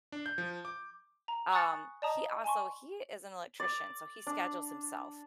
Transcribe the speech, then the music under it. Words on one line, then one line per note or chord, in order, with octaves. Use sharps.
um, he also he is an electrician, so he schedules himself.
D4
G6
F3
D6
A#5
G#5 C#6 D#6 F#6 A6 C#7
D5 D#5 A5 A#5 D#6
G#5 A5 C6 C#6
D5
D4